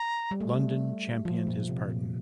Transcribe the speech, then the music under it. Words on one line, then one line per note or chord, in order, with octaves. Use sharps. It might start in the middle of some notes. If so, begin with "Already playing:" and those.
London championed his pardon.
Already playing: A#5
G3
A3
F3
A#2
C3
A#2